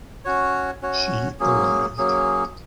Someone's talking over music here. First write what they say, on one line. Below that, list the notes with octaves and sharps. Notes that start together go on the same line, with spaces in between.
She arrived.
C#4 F#4 C#5
C#4 F#4 C#5
F#3 A#3 C#4 G#4
F#3 A#3 C#4 G#4